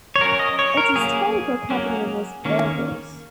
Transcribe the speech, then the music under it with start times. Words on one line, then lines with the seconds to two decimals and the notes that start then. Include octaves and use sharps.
Its historical capital was Burgos.
0.16 C#5
0.21 F#3 C#4 A#4
0.39 D#5
0.59 C#5
0.77 A#4
0.96 F#3 A#3 C#4 G#4
1.70 F#3 A#3 C#4
2.45 D#3 A#3 C#4